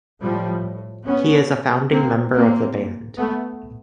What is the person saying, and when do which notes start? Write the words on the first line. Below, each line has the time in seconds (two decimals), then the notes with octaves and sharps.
He is a founding member of the band.
0.20 A2 F3 G3
1.05 B3 C#4
1.90 A#2 A#3 C4
2.33 A#3 C4
3.17 A3 B3